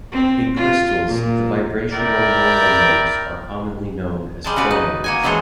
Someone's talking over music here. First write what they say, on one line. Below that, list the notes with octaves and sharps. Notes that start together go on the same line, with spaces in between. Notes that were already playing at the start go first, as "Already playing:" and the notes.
In crystals, the vibrational normal modes are commonly known as phonons.
C4
F4
A#2
E4 A#4 D5 G5
G3 G#3 A5
C#3 F#4 B4 D5
D#4
A#3 F#4 G#5
C#3 E3 F#3 G#3 A4 C5